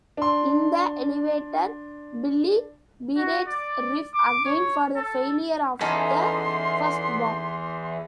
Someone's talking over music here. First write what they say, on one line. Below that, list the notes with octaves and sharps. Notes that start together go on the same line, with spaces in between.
In the elevator, Billy berates Riff again for the failure of the first bomb.
D4 C6
F#4
D5
D6
C#5
A4
E2 C#4 D#4 A4 C6